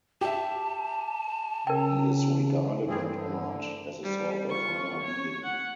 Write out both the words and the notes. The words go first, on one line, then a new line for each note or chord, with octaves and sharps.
He is regarded and honored as a sort of higher being.
G4 E5 A5
C#3 A#4 G5
G2 E3 G3 A3 C4 G#4
D3
G3
F4 C#6
C#5
F#5